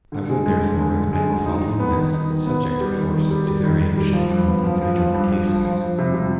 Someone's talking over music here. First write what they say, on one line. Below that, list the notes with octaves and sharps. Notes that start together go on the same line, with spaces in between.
I would, therefore, recommend the following list, subject, of course, to variation in individual cases.
D3
G#3
G#3
D3
G#3
D3
G#3
D2
D#4
D#4
B3
D#3
D#4
D#3
B3
B3
G3
D#3
D#3
G3
G3
D#3
D#3
G3
F3
G2
B3
F3
F3
F3
G2
G2
F3
F3
F3
C3
C3